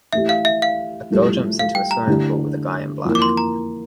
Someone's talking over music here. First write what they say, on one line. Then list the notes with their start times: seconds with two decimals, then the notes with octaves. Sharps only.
A girl jumps into a swimming pool with a guy in black.
0.13 E3 A3 E4 G4 E5
0.29 F5
0.45 E5
0.62 F5
1.11 G2 F3 A3 E4 G4
1.59 F5
1.75 G5
1.91 A#5
2.07 D3 A3 E4 G4
3.05 F2 E3 A#3
3.15 D6
3.22 C6
3.37 A#5